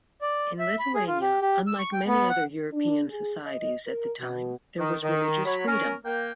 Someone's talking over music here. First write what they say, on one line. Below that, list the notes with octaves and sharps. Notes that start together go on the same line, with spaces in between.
In Lithuania, unlike many other European societies at the time, there was religious freedom.
D5
E5
B5
G#4
F4
G4
G4
E6
C#6
G5
B3
F#5
D4
G#4
D#5
A#4
B2
D#3
D#3
F#3 C#5 B5
C#4 A#4
A#3 G5